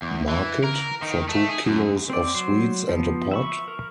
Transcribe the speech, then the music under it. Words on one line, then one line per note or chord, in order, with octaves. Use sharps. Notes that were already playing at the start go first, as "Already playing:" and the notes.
Market? For two kilos of sweets and a pot!
E2
E3
A#4
D#3
A3
G#4
F#2
C4 D5
F#3 C5
F3 B3
E5 B5 C#6
A#4